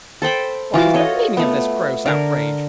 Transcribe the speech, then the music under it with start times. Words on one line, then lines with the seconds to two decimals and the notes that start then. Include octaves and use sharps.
'What is the meaning of this gross outrage?
0.22 A4 C5 G5 B5
0.74 E3 F4 F#4 D6
0.94 A4 C#5 D#5
1.37 A3 B3
2.06 D3 A#4